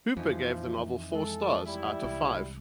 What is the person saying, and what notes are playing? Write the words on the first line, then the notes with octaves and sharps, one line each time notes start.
Hooper gave the novel four stars out of five.
F2 E3 F3 D#4
G#3 A4
G3 E4
C2